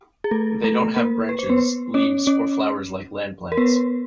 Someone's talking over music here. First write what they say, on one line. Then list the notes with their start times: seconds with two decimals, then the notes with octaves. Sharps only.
They don't have branches, leaves or flowers like land plants.
0.24 G#4
0.31 A3 A4
0.64 A3 A4
0.96 A#3 A#4
1.29 B4
1.39 C5
1.49 B3 B4
1.94 C#4 C#5
2.27 C#4 C#5
3.52 A#4
3.57 B3 B4